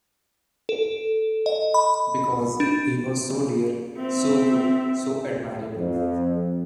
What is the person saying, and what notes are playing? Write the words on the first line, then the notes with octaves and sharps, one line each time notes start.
Because he was so dear, so good, so admirable.
A4
D#5
B5
D4
C4 E5
F2